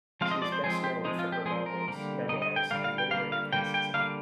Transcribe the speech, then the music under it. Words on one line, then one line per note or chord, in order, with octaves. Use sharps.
She is best known for her novels, memoirs and literary criticism.
F3 G#3 C4 F5
D#5
D5
C5
F3 G#3 C4 G#4
G4
F3 G#3 C4 D#4
F4
G4
F3 G#3 C4 G#4
A#4
D3 G3 A#3
D3 G3 A#3 D#5
D#5
G5
D3 G3 A#3 F5
F5
G5
D3 G3 A#3 F5
F5
D3 G3 A#3 G5
G5
D3 G3 A#3 F5